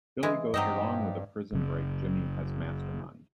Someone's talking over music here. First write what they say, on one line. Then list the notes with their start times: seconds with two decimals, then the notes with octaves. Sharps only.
Billy goes along with a prison-break Jimmy has masterminded.
0.23 E3 G#3
0.54 G2 F#3 C4 D#4 G4 D#5
1.53 F#1 C#3